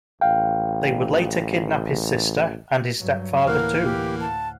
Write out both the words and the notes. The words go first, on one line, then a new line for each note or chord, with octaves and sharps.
They would later kidnap his sister and his stepfather too.
A1 F5 G5
G2 F#3
D2 A2 E3 A#3 A#4 F5 F#5
G4
A5